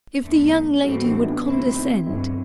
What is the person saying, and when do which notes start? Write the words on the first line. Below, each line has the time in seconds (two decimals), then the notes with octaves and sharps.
If the young lady would condescent!
0.22 E2 D3 A3
0.84 A2 E3 G3 C4 F#4 A4
1.04 D4 F#4
1.19 E4
1.25 B3 D4
1.45 D2 C3 F#3 C4 E4
1.76 C4 E4
2.06 G2 D3 F#3 C4 E4